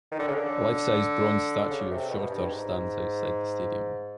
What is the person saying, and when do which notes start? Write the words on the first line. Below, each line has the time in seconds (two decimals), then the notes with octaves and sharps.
A life-size bronze statue of Shorter stands outside the stadium.
0.12 D#3
0.19 D3
0.28 C#3
0.37 D3
1.70 C#3
1.91 C3
2.09 B2
2.30 G2
2.49 G#2